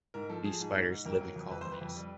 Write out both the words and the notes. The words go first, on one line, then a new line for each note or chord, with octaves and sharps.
These spiders live in colonies.
G#2 A#4
F3 A4
F3 G#4
G#2
G#2
G#2
F2 A#4
F#3
F2
F2 B4
C5
F2
B4
F2
G3